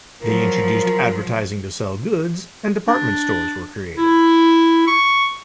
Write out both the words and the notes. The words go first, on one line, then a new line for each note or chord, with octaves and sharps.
They introduced advertising to sell goods and department stores were created.
F3 F#3 A#4
D4
E4
C#6